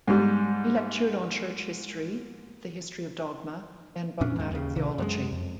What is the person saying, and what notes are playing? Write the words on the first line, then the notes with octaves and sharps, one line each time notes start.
He lectured on church history, the history of dogma, and dogmatic theology.
G#2 G3
F2 A#2 C#4 D4
D#2 G#2
D#2 C#3
A#1 C#3 E3
F#2 G3 G#3
F2